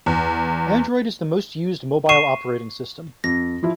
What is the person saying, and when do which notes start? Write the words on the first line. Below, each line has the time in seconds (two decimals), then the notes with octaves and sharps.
Android is the most used mobile operating system.
0.06 E2
2.09 C#6 C7 D#7 E7
3.24 F2 A#6
3.63 F3 E4